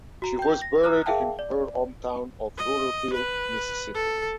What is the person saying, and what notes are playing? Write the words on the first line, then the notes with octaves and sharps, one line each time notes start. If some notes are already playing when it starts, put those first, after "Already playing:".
She was buried in her hometown of Ruleville, Mississippi.
F#4 A#5
G5 G6
A#6
A#5 D#6 F6 F#6
G#4 A#4 E5 F5 G5 A5
D5
D#5
B4
A4